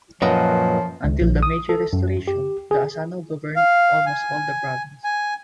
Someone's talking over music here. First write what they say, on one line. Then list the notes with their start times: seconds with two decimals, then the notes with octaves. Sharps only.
Until the Meiji Restoration, the Asano governed almost all the province.
0.22 F#2 A#2 F3 B4 C#5 D#5 F#5
1.04 C#2
1.21 A#1
1.43 D#6
1.69 A4
1.93 F#2
2.28 G4
2.71 G#4
3.56 F5
4.06 G#5
5.04 G#5